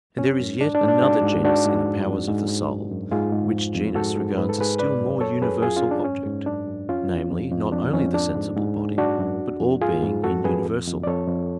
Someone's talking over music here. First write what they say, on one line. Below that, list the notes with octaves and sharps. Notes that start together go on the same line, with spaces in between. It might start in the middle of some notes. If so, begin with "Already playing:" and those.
And there is yet another genus in the powers of the soul, which genus regards a still more universal object--namely, not only the sensible body, but all being in universal.
F#2 C#4
F#2
G#2 D4
D4
G#2
D4
G#2 D4 F#4
G#2
G#2 D4 F#4
G#2
F2
F2
G#2
G#2
F#2
F#2
G#2 F4 G#4
G#2
F2
F2
G#2 F#4 A4
G#2
G#2 B4
A4
G#2 G#4 B4
F#2 B4 D5
F#2
F#2 A4 C#5
F#2 G#4 B4
F#2 F4 G#4
C#4 F4
F#2
D4
G#2 C#4
G#2
F#2 D4
F#2
F2 C#4 F4
F2
F2
F2
F2 D4
F2 C#4
G#2 D4
G#2
G#2
G#2
F#2 D4 F#4
F#2
F2
F2
G#2 F4 G#4
G#2
F2 F#4 A4
F2 G#4 B4
F2
F2
D5
F2 A4 C#5
F2